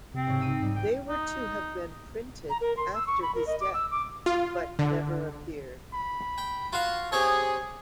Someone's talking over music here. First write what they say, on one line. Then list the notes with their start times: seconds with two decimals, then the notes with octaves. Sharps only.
They were to have been printed after his death, but never appeared.
0.14 C3 C4
0.27 G#2 C#3
0.40 D#4 E6 D#7
0.62 G#2 G3 D#4
0.75 G5
1.08 D#4
2.50 A#5
2.61 A#4
2.77 C6
2.94 E6
3.07 C#6
3.22 B5
3.35 A#4
3.47 D#5
3.61 D6
3.74 E6
3.91 D6
4.26 F4
4.79 D3
5.94 B5
6.38 G5
6.73 F4 F#4 F5
7.12 C4 G4 G#4 C#5